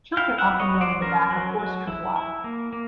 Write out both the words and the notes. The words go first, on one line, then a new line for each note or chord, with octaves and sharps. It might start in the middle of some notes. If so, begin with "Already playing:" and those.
Children often rode in the back of horse travois.
E4 F5 G5
E5 F#5
F#3
C#5 D#5
F#3
C5 D5
C#4 A#4 C5
F#3
F#3
E4
E4
A#3
A#3